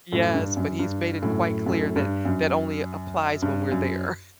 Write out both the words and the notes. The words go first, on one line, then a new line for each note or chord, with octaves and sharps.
Yes, but he's made it quite clear that that only applies when we're there.
F#2 A2
G2
F#2
G2
F#2 A2
F#2 A2
G2
F#2
G2
F#2